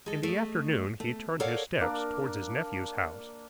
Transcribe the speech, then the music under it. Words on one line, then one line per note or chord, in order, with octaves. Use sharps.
In the afternoon he turned his steps towards his nephew's house.
G#3 A4
A3 D#5
A3
A4 A#4 C#5 D5 F5 F#5
A#3 D4 A#4 D5